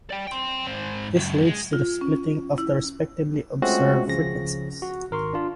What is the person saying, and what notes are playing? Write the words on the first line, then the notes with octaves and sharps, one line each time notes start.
This leads to the splitting of the respectively observed frequencies.
D5 G5
G5 C6
G#2 C4
C#2 F#2
G#3
F4
C#4
E4
G#3 A3 C4 C#4 F4 F#4
C#2 C#3 F3 A#6
F#4
G#1 A#4 C6 C#6
D4 F4